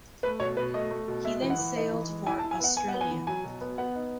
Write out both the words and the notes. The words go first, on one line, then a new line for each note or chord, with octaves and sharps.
He then sailed for Australia.
A3 B4
B2 C#5
B2 B4
A3 D#5
A3
B2
G#3 E5
E3
F#5
E3
D#4
E3
G#3
E4 G#5
A5
E4
G#5
B3 F#5
B3 G#5
F#5
B3
G#5
E3
F#3 G#5
B2
B3
B3 F#5
D#4